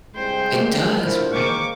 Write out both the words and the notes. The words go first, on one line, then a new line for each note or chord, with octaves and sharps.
It does, right?
C2 G#3 C5 G5
F2 A3 A#3
A1 D3 F3 E4 A#4 C5
D#3 G#3 A#3 C#6 D6